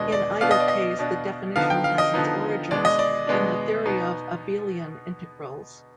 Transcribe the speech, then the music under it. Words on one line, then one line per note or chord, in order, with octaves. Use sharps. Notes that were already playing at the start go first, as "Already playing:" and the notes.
In either case the definition has its origins in the theory of abelian integrals.
Already playing: B2 G#3 D4 D#5
D5
B2 B3 D4 F5
D#5
D5
D#5
B2 B3 D4
D3 F3 B3 D#4 F5
G5
F5
D#5
D3 F3 B3 D#4
B2 G#3 B3 D4 D5
D#5
D5
B2 G#3 B3 D4
B2 B3 D#4